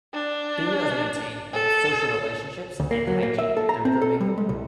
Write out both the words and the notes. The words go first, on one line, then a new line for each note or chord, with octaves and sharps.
Females maintain both social relationships and hygiene through grooming.
D4
A4
D2
A#3
F#3
A#3
E5
A4
A#5
C4
A4
G3
G#3
C2